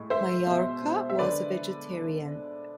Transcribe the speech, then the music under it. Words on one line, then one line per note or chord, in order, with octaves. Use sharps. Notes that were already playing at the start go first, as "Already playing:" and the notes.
Maiorca was a vegetarian.
Already playing: A2 G#3
A2 G#3 C5 E5
B2 G#3
B2 G#3
E5
D3 G#3 B4 D5